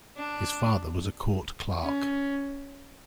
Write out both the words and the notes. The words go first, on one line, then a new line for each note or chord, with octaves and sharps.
His father was a court clerk.
D4
C#4